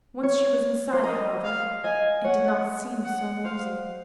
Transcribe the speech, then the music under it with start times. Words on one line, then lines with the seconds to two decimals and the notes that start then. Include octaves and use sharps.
Once she was inside, however, it did not seem so amusing.
0.23 C#5
0.93 C5
1.03 A#4 D#5
1.44 F5
1.84 D#5 G#5
2.24 C#5 F#5
3.04 F#5
3.45 C5 F5